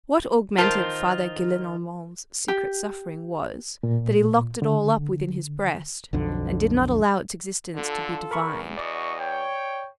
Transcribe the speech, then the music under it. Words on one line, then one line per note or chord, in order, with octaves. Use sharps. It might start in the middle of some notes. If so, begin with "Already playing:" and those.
What augmented Father Gillenormand's secret suffering was, that he locked it all up within his breast, and did not allow its existence to be divined.
D#3 F4 A#4 C5 A5
G4
A#2
D3
B1 F2 D3
D3 F4 A4
E2 A#4 B5 C#6
F#4 D5 D#5 C#6
C#5 G5